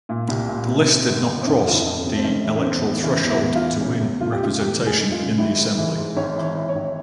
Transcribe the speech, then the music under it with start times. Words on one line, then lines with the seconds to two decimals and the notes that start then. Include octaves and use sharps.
The list did not cross the electoral threshold to win representation in the assembly.
0.09 A#2
0.28 C2
0.48 A#2
0.68 C3
0.88 C3
1.08 G1
1.27 G1
1.42 C4
1.47 F2 C#4
1.66 G1 F4
1.73 E4
1.86 F2
1.99 C#4
2.05 C3
2.17 C4
2.24 F1 C#4
2.45 E3
2.56 C#4
2.64 E2 C4
2.83 E3
3.04 E3 C#4
3.23 E2
3.29 E4
3.42 E2
3.55 F4
3.62 E3
3.81 C#3 C#4
4.01 E2
4.20 F1 F4
4.32 G4
4.40 C#3 F4
4.60 E2 G4
4.79 F1
4.86 G#4
4.99 F1
5.12 F4
5.18 C#3
5.38 G#1 E4
5.58 G#2
5.77 E3
5.97 G#2
6.17 G#1 C#5
6.36 E3
6.43 C#5
6.55 E3
6.69 C#5
6.75 G#1